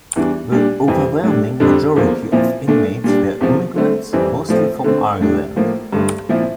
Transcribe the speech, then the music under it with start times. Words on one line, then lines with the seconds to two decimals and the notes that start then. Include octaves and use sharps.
The overwhelming majority of inmates were immigrants, mostly from Ireland.
0.16 E2 E3 G3 D4
0.52 A#2 G3 D4
0.88 F2 E3 G3 C4
1.23 A2 G3 D4
1.60 F2 D3 G3 D4
1.96 E2 D3 F3 A#3
2.32 A#2 F3 C4 E4
2.68 A#2 A3 D4
3.04 A#2 G3 D4
3.41 E2 C3 F3
3.76 D3 A3 C4
4.13 F2 E3 G3 C4
4.49 A2 F3 A3 C4
4.84 D3 A3 C4
5.21 A2 G3 D4
5.56 A2 F3 A#3
5.93 G2 D3 A3
6.29 A#2 F3 C4 E4